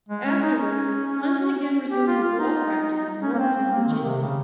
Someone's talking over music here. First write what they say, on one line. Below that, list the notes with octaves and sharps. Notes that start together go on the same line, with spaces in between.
Afterward, Hunton again resumed his law practice in Warrenton, Virginia.
G#3
C#4
D#4
C#4
G4
F4
F4
D#4
C#4
A#3
C4
C4
A#3
D#3
C3
C#3